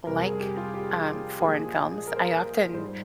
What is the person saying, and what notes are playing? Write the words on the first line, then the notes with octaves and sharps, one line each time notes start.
like, um, foreign films, I often
F2 C3 G3 A#4
G#4
G4
F4
G4
A#2 F3 G#3 G#4
A#4
C5
A#4
G#2 G3 C5